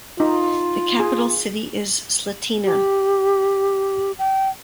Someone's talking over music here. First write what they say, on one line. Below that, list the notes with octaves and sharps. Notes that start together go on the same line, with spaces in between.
The capital city is Slatina.
D#4 F4
G#4
G4
G5